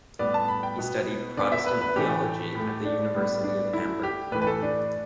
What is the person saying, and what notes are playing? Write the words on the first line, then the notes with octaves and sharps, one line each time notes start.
He studied Protestant theology at the University of Hamburg.
A2 G3 B3 D5
A5
B5
G5
B2 B3
D3 B3 D5
E5
B4
B4
A2 E3 A3 G4
A2 A3
D4
A2 G3 B3
D4
D3 A3 E4
G4
A2 E3 A3 B4
B4
A4
D4